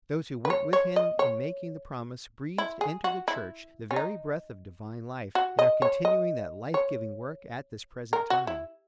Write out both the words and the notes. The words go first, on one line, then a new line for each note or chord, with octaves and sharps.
Those who went with him in making the promise breathed into the church the very breath of divine life, and are continuing that life-giving work at this present time.
B4
C#5
C#5
D#5
C#5
E4
G#4
F#4
E4
C#4
D#4
F#4
D#5
C#5
D#5
C#5
A#4
F#4
E4